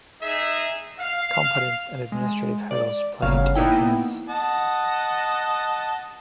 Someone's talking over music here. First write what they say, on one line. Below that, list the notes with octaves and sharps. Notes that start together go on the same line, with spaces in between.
Competence and administrative hurdles play into their hands.
D#4 G#4 E5
F5
G#3
D5
G1 C#3 F#3 F5 F6
A#3 B3 D#4 E4 G5
D#5 F#5 A5